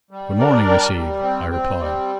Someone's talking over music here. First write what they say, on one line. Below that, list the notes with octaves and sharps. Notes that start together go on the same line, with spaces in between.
"Good morning, Miss Eve!" I replied.
G3
D4 A#4 D5
G3
G3
C4
C4
G3